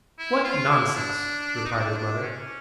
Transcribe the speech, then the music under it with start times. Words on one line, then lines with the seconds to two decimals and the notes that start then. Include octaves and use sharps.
"What nonsense," replied his mother.
0.19 E4
0.44 F4
0.70 E4
0.95 D4
1.65 D#4
1.72 D4
1.98 D4
2.22 C#4